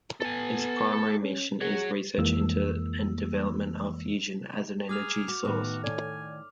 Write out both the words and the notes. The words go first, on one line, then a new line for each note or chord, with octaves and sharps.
Its primary mission is research into and development of fusion as an energy source.
B3 A4 G#5
C#4
F#4 G#4 C#5
F2 E3 G#3 A#3 E6
G#4 A#5 D6 F6 F7
F#4 D6
A2 D#3 B3 F#4 B4
A4 C#5 D5 G#5